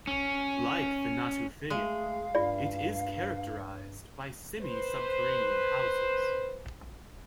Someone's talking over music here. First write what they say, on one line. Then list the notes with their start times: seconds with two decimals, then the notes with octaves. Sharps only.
Like the Natufian, it is characterized by semi-subterranean houses.
0.07 C#4
1.70 G#3 A3 F5
2.35 G2 F4 D5
4.62 B4 C5